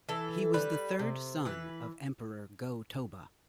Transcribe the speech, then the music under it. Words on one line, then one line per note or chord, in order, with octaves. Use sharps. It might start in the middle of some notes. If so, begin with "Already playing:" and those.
He was the third son of Emperor Go-Toba.
E3 A4
G3 B4
C3
E3 B4